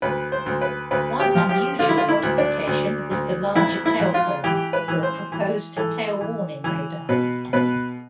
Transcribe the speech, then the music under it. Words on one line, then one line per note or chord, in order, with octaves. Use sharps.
One unusual modification was the larger tailcone for a proposed tail-warning radar.
D2 B4
C5
D2
B4
D2 B4
G4
F3
G4
D3 F4
E4
F4
E4
D2
D4
D2
D2
F2 E4
E4
F2
F4
E3 G4
B4
E3
C5
E3
E3 A4
E3
E3
B2 B4
B2 B4